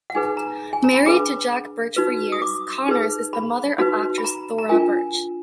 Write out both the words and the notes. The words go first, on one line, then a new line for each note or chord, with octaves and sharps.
Married to Jack Birch for years, Connors is the mother of actress Thora Birch.
F#5
D#4 G#4 B4 G#5
A#5
G#5
A#5
B5
D4 G#4 B4 D6
D#4 F#4 B4
D#6
D6
D#4 G#4 B4
B5
D#4 F#4 B4
B5
A#5
A#5
D4 F4 A#4 G#5